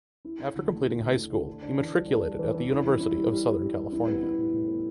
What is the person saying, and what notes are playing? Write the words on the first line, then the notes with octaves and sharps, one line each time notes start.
After completing high school he matriculated at the University of Southern California.
E4
E4
D3
A3
A3
D3
A3
D3
D4
D4
E3
G3
D4
G3
E3
E3
E4
G3
E4
G3
G3
G3
G3
G3
E4
B3
E4
A2
A2
B3